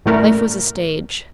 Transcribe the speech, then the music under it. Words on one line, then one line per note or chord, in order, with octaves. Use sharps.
Life was a stage.
A2 C#3 A3 A#4 D5 A#5